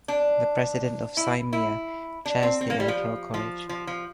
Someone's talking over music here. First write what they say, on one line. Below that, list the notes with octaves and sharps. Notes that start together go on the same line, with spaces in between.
The president of the Saeima chairs the electoral college.
D4
E4
E4
D4
C4
C4
A#3
G3
F3
F3
F3
F3